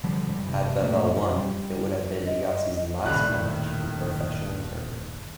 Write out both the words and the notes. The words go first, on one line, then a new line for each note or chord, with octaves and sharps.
Had Pavel won, it would have been Agassi's last match in a professional tournament.
B2 D3 F3 G3
C#2 F#2 G3
F1 C3 E3
A#2 F#3 A3 A#3
F#2 B2 F#3 C#4
G3
D#5
D#1 F#2 A2 C3 D#3 G3 F#6